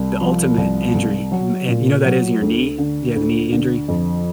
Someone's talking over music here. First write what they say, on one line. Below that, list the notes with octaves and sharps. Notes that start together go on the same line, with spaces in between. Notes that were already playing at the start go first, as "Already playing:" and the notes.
the ultimate injury. M and you know that is in your knee? Yeah, the knee injury.
Already playing: C2
F3
C2
C2
F#3
A#2
F#3
D2
D3
D2
D3
F2